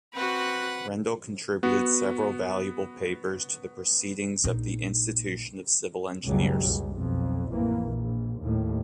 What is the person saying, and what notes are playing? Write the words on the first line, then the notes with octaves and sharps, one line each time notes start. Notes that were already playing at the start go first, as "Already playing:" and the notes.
Rendel contributed several valuable papers to the 'Proceedings' of the Institution of Civil Engineers.
C4 F#4 B4 F#5
B3 F#4
A#1 D#4
F#1 C#2 B2 F#3 G3
C#2
B1 F2
A1 F2 E3 A#3
A#1
D#2 A2